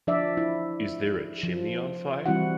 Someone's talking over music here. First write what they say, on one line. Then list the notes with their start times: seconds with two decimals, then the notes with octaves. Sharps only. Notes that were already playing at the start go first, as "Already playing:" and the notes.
Is there a chimney on fire?
0.07 F3 D4 D5 E5
0.37 E4
1.43 F3
2.26 E3 G3 C4 E4 F#4 F#5